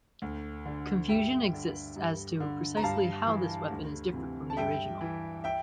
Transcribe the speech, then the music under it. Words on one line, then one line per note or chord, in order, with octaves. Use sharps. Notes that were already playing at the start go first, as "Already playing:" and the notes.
Confusion exists as to precisely how this weapon is different from the original.
D2
D3
G2 E5 G5
D3
G2
D3
A#5
G2 F5 A5
E3
D2
C3 E3
A5
G2 E5 G5
E3
E5 G5